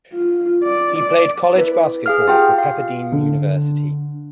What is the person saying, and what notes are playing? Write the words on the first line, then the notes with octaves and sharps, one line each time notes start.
He played college basketball for Pepperdine University.
F4
D5
D5
E4 B4
G#4 F5 F6
F4 G4 F#5
F5
D3